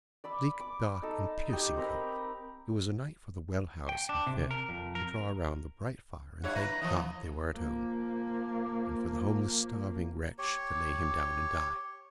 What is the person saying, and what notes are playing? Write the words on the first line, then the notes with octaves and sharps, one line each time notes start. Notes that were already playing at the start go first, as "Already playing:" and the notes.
Bleak, dark, and piercing cold, it was a night for the well-housed and fed to draw round the bright fire and thank God they were at home; and for the homeless, starving wretch to lay him down and die.
D5 B5 E6
D6
D#4 A4
D#4 G4
C4 A#4 A#5 B5
G5
D4
C3
A#4
F2
A#4
G2 E4 C#5 F#5
B4 A#5
E3 F3 D#5
F3 A#3
G4 C#5